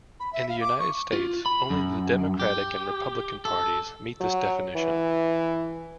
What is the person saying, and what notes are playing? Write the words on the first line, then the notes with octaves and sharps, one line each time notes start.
In the United States, only the Democratic and Republican parties meet this definition.
B5
E5
F5
D6
C#6
F4
B5
F#2
G4
A4
F#3
E3